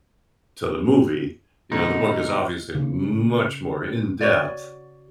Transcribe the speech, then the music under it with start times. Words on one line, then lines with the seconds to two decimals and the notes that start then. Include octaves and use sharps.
to the movie, you know, the book is obviously much more in depth,
1.72 G#2 B2 D3 D#4
2.75 C#3
4.21 F#4 C#5 D5